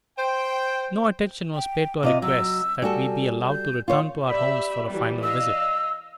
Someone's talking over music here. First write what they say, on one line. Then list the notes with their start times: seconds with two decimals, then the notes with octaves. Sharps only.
No attention was paid to our requests that we be allowed to return to our homes for a final visit.
0.18 C5 G5
1.55 G5
2.03 C3 F4 D#5 D6
2.22 F#3 E6
2.82 G3 F#4 A4 G#5
3.50 G6
3.88 F4 C#5 C6
4.29 G4 D5 E5 B5 B6
4.87 E3 F#3 G3
5.23 D#5 F5 E6